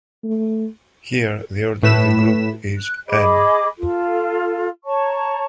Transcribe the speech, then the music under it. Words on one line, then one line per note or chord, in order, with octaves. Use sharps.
Here the order of the group is "n"!
A3
A2 A3 B4 B6 E7
F#6
G#4 D#5 B5 D6
F4 A4
C#5 A5 A#5 C#6